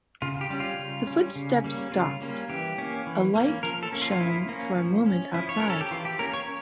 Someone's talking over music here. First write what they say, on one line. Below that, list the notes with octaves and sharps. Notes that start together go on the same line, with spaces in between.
The footsteps stopped, a light shone for a moment outside.
C#3 F4
G4
G3 C#4
F4
C#3
G3 C#4
C#3
G3 A#3 C#4
C#3 F4
G3 A#3 C#4
E3 G4
A#3 C#4
E3
A#3 C#4
F3 A#4
A4
A#3 C#4
F4
F4
F3 E4
A#3 C#4
F3
C#4
F3 E4
C#5
C#4 A#4
A4
G4
E3 F4
G4
A#3 C#4 A#4
C#5